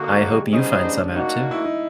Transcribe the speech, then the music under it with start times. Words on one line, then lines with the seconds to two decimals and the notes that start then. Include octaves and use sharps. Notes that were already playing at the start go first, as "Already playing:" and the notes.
I hope you find some out too.
Already playing: D3 A#3 D#4 F#4
0.11 G#3
0.31 G3
0.53 B3 C#4 D#4 G#4 C5 D#5
0.84 D4
1.14 A#3 D4 D#4 F#4
1.51 E4
1.64 D#4